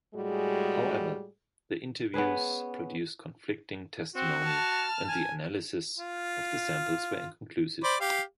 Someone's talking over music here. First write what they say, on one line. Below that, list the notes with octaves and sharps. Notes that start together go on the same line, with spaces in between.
However, the interviews produced conflicting testimony and the analyses of the samples were inconclusive.
A2 G3 G#3 F#4 G#4
B3 C#4 G#4 B4
C4 F#4
A5 F6
G#5
F4
C5 D5 B5
G4 F5